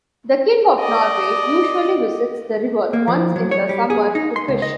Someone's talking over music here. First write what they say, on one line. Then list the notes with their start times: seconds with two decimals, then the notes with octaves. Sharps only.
The king of Norway usually visits the river once in the summer to fish.
0.80 D5 D#5
2.93 A#3
3.08 F3
3.36 F#3
3.51 C#5
3.69 G3
3.90 G#4
4.15 D#4
4.36 C6
4.48 C#2
4.62 D#5